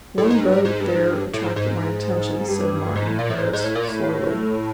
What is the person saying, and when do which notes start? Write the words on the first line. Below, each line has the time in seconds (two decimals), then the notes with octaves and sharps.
"One boat there attracted my attention," said Martin Harris slowly.
0.18 A2
0.30 G#2
0.41 G2
0.52 G#2
0.65 G#2
0.80 G2
0.96 G#2
1.11 G2
1.33 A2
1.46 G#2
1.56 G#2
2.48 G2
2.96 G#2
3.07 A2
3.19 A#2
3.30 A2
3.41 G#2
3.53 G#2
3.64 A2
3.75 A#2
3.88 A2